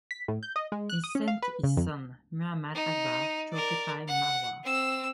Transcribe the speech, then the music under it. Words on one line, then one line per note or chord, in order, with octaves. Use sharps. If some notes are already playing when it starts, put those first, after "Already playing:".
He sent his son, Muhammad Akbar, to occupy Marwar.
B6
A2
G6
D#5
G#3
F#6
D#6
C#4
F5
B4
C#3
F2
D#4
A#4 D5
F#5
C4 E6